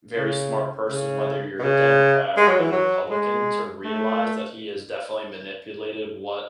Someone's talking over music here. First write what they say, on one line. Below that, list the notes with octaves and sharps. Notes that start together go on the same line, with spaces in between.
very smart person, whether you're a Democrat or where you're Republican to realize that he has definitely manipulated what
C#3
C#3
B2
C#3
G#3
F#3
E3
F#3
G#3
A3